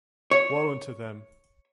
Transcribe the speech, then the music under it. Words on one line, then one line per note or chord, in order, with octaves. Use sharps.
Woe unto them!
C#5